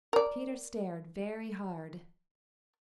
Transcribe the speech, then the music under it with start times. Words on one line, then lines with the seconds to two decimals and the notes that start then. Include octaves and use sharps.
Peter stared very hard.
0.13 A#4 D5